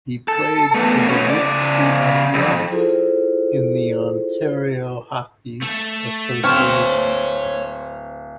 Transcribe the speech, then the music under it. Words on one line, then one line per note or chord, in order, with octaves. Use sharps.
He played for the Whitby Athletics in the Ontario Hockey Association.
A4
A3 B3
A3 C#4
C#3 D5
C2 F2
E4 F4 G#4 A4 C5
A3 A4
D1 C4 C#5 A5 C6 C#6 F6